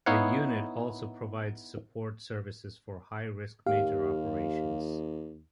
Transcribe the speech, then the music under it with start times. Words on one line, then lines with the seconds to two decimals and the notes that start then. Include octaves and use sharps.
The unit also provides support services for high-risk major operations.
0.06 B3 D#4 E4 C#5 F5 F#5
3.66 D#2 G4 F5